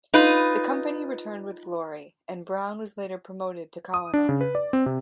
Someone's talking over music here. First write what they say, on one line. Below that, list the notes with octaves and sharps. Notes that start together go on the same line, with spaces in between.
The company returned with glory, and Brown was later promoted to Colonel.
D#4 F4 B4
D#6
D4
C#3
B4
D5
C4
C3